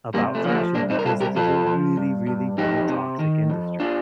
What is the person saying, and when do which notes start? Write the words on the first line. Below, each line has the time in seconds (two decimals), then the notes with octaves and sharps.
about fashion because it is a really, really, really toxic industry.
0.14 C3 G3 A#3
0.35 A3
0.44 F3 A#3
0.55 A3
0.75 C2 A#3 D4
0.90 C4 D#4
0.99 A#4
1.05 C2 F4 A4
1.20 G4 A#4
1.36 F3 F4 A4
1.67 F3
1.97 G2
2.27 G2
2.58 F2 D#4 G4
2.89 C3
3.19 D#3
3.50 F2
3.80 D4 F4